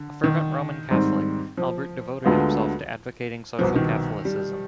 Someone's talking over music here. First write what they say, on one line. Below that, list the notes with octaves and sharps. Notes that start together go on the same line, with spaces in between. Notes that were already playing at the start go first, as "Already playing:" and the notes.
A fervent Roman Catholic, Albert devoted himself to advocating Social Catholicism.
Already playing: D3
D#3
G#2 D#3 G3 C4
F3
D2 D3 G#3 B3 F4
C2 B2 F3 B3
D#3
G3